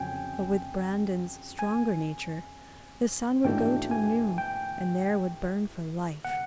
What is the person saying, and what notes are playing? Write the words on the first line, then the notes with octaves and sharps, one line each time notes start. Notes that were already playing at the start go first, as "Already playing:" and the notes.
But with Brandon's stronger nature the sun would go till noon and there would burn for life.
Already playing: F2 C#3 F#3 G5 G#5
G#5
G#2 E3 A3 D4 F#4 G5
G#5
G5
F#5